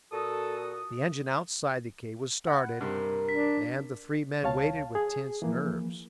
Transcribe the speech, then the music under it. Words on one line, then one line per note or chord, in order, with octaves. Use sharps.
The engine outside the cave was started, and the three men waited with tense nerves.
A#2 F#4 A4 D#6
F#5 B5
G2 C3 A#4
D4 B6
C#2 C#5 F5 A5
G#4
E3 F3 A#3